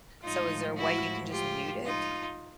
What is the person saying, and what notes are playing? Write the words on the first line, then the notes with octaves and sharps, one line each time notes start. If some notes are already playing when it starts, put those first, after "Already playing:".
So, is there a way you can just mute it?
A2 F3 G#3 D#4 F4
E4 F#4
F4 G4
D#4 F4